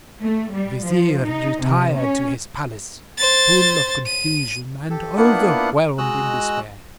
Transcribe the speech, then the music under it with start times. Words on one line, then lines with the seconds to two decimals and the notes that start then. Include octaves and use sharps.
The vizier retired to his palace full of confusion, and overwhelmed in despair.
0.22 A3
0.53 G3
0.86 F3
1.26 D#4
1.63 C3
1.97 C#4
3.18 C5 A6
4.06 D#7
4.90 G4 A4
5.17 A#3 B3 D4 E4 F4 F#5
5.98 G#3 F#4 D#5 E6 F#6